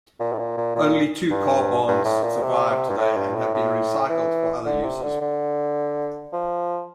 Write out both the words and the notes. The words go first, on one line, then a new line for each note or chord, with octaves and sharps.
Only two carbarns survived today and have been recycled for other uses.
A#2
A2
A#2
A#2
A#2
G2
G2
A2
A#2
C3
C3
G2
A2
G2
A2
A2
E3
D3
C3
D3
D3
F3